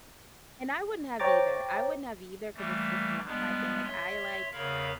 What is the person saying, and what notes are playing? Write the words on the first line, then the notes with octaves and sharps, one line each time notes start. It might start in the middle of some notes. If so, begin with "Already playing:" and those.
And I wouldn't have either, I wouldn't have either ‘cause it's just not my thing. Like, I like
C5 C#5 G5 A#5 D6 A6
E3 G3 A3 A#3
G3 G#3 B3 D4
C#5 E5 C6
E2 C#3 A#4 C#5 F5 B5